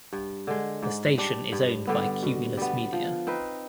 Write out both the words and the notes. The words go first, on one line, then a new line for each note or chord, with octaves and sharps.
The station is owned by Cumulus Media.
G2
D3 G#3
G#2
G3 D4
G2
D3 G3 B3
B2
G3 B3
F3
C4 D#4 B4